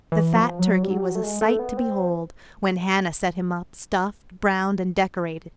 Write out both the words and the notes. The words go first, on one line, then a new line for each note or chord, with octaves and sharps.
The fat turkey was a sight to behold, when Hannah sent him up, stuffed, browned, and decorated.
E3
F3
F#3
G3
F#3
G3
F#3
A3
G#3
A3
B3
C4